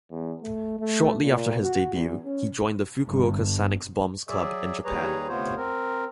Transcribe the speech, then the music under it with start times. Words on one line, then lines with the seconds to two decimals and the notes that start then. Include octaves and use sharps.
Shortly after his debut, he joined the Fukuoka Sanix Bombs club in Japan.
0.11 E2
0.42 A3
0.80 A3
1.22 A#2
1.63 F#4
1.95 E2
2.25 C#4
3.08 G1
4.29 F#3 G#4 D5 E5
4.85 D#2 G3 G#4 B4 C#5 A#5
5.28 D2 C3 B3 F4 C5 C#5
5.57 C4 A#4